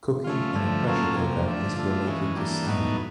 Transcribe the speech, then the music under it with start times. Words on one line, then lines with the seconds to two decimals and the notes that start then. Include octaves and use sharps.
Cooking in a pressure cooker is related to steam.
0.24 A3 C#4 F4
0.55 D3 F3 A3
0.85 F#3 A#3 C#4 F4 A4
1.15 C3 F3 A#3
1.46 D3 F3 A3 D4
1.76 A3 D4 F4
2.06 E3 G#3 C#4
2.36 E3 G3 A#3 D4
2.67 A2 F#3 B3 D#4